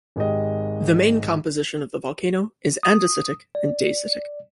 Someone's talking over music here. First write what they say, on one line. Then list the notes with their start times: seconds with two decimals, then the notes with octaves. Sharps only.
The main composition of the volcano is andesitic and dacitic.
0.16 G#1 G#3 G4 D#5
2.83 D#6
3.55 D5